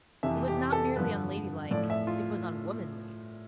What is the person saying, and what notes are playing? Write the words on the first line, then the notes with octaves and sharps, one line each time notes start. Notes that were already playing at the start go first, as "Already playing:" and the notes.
It was not merely unladylike; it was unwomanly.
F2 C3 E3 E5
G4
A4
G2 D3 F3 B4
A2 F3 D5
E5
F4